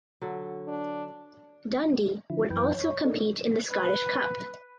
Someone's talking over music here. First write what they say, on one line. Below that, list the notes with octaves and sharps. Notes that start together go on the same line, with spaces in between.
Dundee would also compete in the Scottish Cup.
D3 F#3
D4
D3 F3 E4
F#2 E3 B4 G5
C#5
A3 A#3 D4 D#4
B4